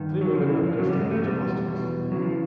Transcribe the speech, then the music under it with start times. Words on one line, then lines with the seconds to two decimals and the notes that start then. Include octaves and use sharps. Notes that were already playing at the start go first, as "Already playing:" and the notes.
Three women are dressed in ninja costumes.
Already playing: G2 D#3
0.21 F#3
0.34 E2 C#3 F3
0.48 E3
0.63 F3
0.78 E2 C#3 F#3
0.89 G3
1.00 G#3
1.11 A3
1.22 E2 B2 G3
1.66 E2 B2
2.11 F2 C#3 E3 F#3
2.22 F3